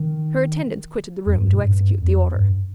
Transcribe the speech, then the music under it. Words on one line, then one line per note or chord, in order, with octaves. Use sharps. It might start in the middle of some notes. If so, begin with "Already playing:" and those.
Her attendants quitted the room to execute the order.
Already playing: D#3
F2
G2
A#2
G#2
G2
F2
G2